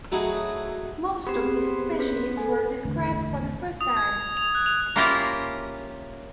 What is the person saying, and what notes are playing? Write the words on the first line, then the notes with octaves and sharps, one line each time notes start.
Most of these species were described for the first time.
F#3 A3 D#4 E4 F#4 G#4
B3 C4 G4 G#4 C5
C#4 B4 B6
A4 G#5
G#1 E2 D3 A3
D#6
G#6
F7
F#6
F7
A#3 C#4 E4 F4 G4 A#4